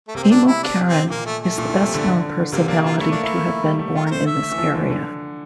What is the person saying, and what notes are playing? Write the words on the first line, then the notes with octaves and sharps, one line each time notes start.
Emil Cioran is the best-known personality to have been born in this area.
A3
C3 A#3
C4
D4
E4
D4
C4
A#2 A#3
A3
A3
A#2
A#2
C3
D3
D3
C3 A#3
A#3 D4
A#3 F4
A3 E4
A#3 D4
A3 E4
A#3
A3
G3
A3
A3 F4
A#4
C5
E5
A3
E3
F3
D3
D3